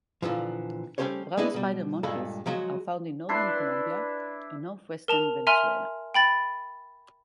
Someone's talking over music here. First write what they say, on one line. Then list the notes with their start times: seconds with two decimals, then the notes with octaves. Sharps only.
Brown spider monkeys are found in northern Colombia and northwestern Venezuela.
0.22 A#2 D3 E3 F3
0.98 G3 A3 C#4 G4 C5 C#5
1.37 G#3 B3 D4 E4 D#5
1.54 B2 G3
2.03 G2 A#2 G#3 A4 B5
2.46 F3 F#3 G#3 F#4
3.29 D4 E4 B4 C6
5.08 A#4 A5 F7
5.47 E5 G#5 A#5 C6 F6
6.14 G5 B5 A6